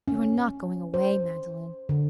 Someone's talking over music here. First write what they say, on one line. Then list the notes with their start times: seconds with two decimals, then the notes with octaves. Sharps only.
"You are not going away, Magdalen?"
0.08 C#4
0.94 C5
1.89 D3